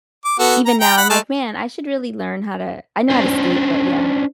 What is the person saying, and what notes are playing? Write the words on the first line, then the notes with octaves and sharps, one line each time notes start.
even now I'm like, "Man, I should really learn how to" I know how to skate, but yeah.
D6
B3 F#4 A4
A#5
G5 A#5
F#5 B5
G#3 A3 A5
C#4 D4 C5